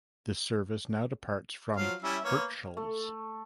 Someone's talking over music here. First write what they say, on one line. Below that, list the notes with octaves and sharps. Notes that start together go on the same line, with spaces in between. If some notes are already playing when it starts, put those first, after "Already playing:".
This service now departs from Hirtshals.
F3 F#3 F5
G3 C#4 E4 E5
A#3 B3 C#5
A3